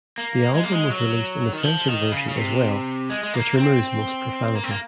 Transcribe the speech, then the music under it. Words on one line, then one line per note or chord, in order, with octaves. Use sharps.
The album was released in a censored version as well which removes most profanity.
A#3
G#3
A#3
G#3
F#3
D#3
F3
D#3
C#3
C#3
C3
G#3
G#3
A#3
C4
A#3
C4
A#3